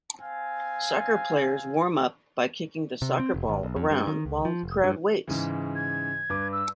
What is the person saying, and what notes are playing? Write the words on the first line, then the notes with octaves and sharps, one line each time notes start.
Soccer players warm up by kicking the soccer ball around while the crowd waits.
C4 F5 G#5
C3
C4
F1
G#1
B1
F2
G2
D#3
C#2
F3
F1
G2
G#2 C#3 E3
G#6
G2 B4 D6
E6